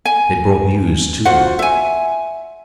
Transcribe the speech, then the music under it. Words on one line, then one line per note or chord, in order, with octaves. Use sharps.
They brought news, too.
G#5
F4 F#4 C5 F#5
E5 G#5